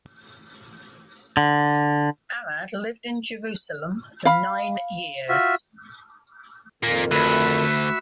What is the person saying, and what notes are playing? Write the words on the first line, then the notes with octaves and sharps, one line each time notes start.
Arad lived in Jerusalem for nine years.
D3
F5 B5
F4 F#4 E5
F2 A#2 D#3 A#3
D2 F#4 B4 E5 B5